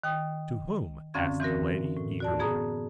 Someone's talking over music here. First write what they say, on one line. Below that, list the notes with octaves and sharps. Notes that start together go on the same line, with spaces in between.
"To whom?" asked the lady, eagerly.
D#3 G5 D#6
F#2 D3 C4 C#4 F5 G#6
E3 C4 F#4 A#4
A2
F#4 D5 A5
B3 G#4 A#5 D#6